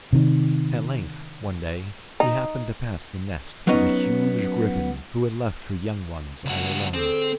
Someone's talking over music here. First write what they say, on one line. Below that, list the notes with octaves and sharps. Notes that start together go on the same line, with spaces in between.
At length, one day, he happened to pass the nest of a huge griffin, who had left her young ones all alone.
C3 D#3
D#4
F#3 B3 C#4 D#4 D#5
C#2 F#4
D3 C4 G#4